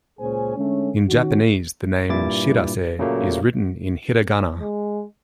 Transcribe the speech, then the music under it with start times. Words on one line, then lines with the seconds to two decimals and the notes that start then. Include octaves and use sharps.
In Japanese, the name "Shirase" is written in "hiragana".
0.20 C#2 A#2 C#4 G#4 C5 G#5
0.56 D3 G#3 A3 C#4
1.08 D#3 C#4 F#4
2.09 G2 A#2 E4 D6 A6
2.99 A#2 C#3 F#3 A3 A#3
4.61 G#3